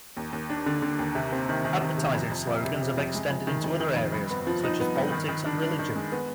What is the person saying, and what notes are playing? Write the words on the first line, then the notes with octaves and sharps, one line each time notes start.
Advertising slogans have extended into other areas, such as politics and religion.
D#2
D#2
D4
D3
D3
D#2
C3
C4
D#3
D#3
D#3
C3
F2
F2
F2
C3
C3
F2
G#3
F2
D#3
F2
D#3
F2
G2
B3
F3
D#4
B3
G2
D#3
D#3
D4
D4
D#3
G#3
B3